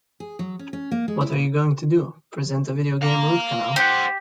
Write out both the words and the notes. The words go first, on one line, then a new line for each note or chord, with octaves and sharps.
What are you going to do, present a video game root canal?
G#4
F#3
C#4
C#4
A#3
G#3
E4
A#2
F5 A#5
G4 C5 F#5